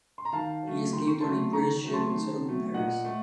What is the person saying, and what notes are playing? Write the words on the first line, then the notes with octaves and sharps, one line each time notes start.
He escaped on a British ship and settled in Paris.
C6
A#5
D#3 F5 A5
F#3 A3
D#3 C6
C#6
F#3 A3 A5 C6
D#3 A#5 C#6
F#3 A3
A5 C6
D#3
F#3 A3
A#2 D#5 F#5
A3